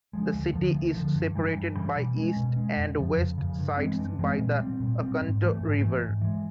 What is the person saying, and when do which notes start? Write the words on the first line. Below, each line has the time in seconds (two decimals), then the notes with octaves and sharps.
The city is separated by east and west sides by the Oconto River.
0.13 F3 G#3
0.34 D2
0.53 D3 F3
0.74 D2
0.95 D3 F3
1.15 G2
1.35 E3 G3
1.55 G2
1.76 E3 G3
1.96 B2
2.17 G#3 C#4
2.37 B2
2.56 G#3 C#4
2.77 F2
2.98 C#3 F3
3.17 F2
3.38 C#3 F3
3.58 G2
3.78 E3 G#3 C4
3.99 G2
4.19 E3 G#3 C4
4.39 A#2
4.59 G3 C4
4.80 A#2
5.00 G3 C4
5.21 G#2
5.41 E3 A3
5.61 G#2
5.81 E3 A3
6.02 G#2
6.21 E3 G#3